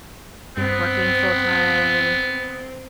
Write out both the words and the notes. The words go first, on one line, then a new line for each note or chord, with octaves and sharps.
working full time
G2 B3 C4